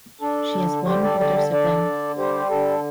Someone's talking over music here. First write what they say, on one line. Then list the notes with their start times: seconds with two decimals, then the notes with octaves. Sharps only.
She has one older sibling.
0.21 D4 A4
0.54 D3
0.87 G3 G4 C5
1.03 A4 D5
1.20 D3 A4 D5
1.36 A4
1.52 D4 A4 D5
1.85 D3
2.18 G3 G4 C5
2.51 D3 A4